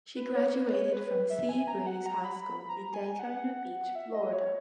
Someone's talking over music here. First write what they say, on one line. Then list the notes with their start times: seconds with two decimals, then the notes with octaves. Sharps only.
She graduated from Seabreeze High School in Daytona Beach, Florida.
0.16 B4
0.35 C#5
0.54 B4
0.73 C#5
0.92 B4
1.30 E5
1.49 G#5
1.68 A#5
1.87 F#5
2.06 A#5
2.24 B5
2.43 B5
2.69 A#5
2.94 G#5
3.19 F#5
3.95 E5
4.14 D#5
4.32 C#5